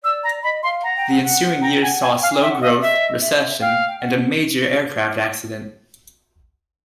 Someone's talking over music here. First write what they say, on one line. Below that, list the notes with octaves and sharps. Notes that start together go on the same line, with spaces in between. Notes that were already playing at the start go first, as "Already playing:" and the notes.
The ensuing years saw slow growth, recession, and a major aircraft accident.
D5 E6
A#5
D#5 B5
F5 C6
F#5 A#5
G5
F#5
F#5
G5 A#5
F#5 G#5
G5 G#5
F5 G#5
G#5
E5 G5
F#5
D#5 F5
D5
D#5 E5
E5
D#5
E5
F5 G5
G5
F#5